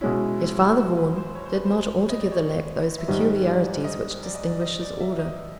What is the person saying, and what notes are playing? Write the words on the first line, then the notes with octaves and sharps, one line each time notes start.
Yet Father Vaughan did not altogether lack those peculiarities which distinguish his order.
B2 G#3 C#4 E4
E4
F#4
B4
C5
C#5
C5
B4
C5
D#5
D5
C#5
E5
G#2 D#3 G3 D#5
D5
D#5
D5
D#5
D5
D#5
D5
E5
D#5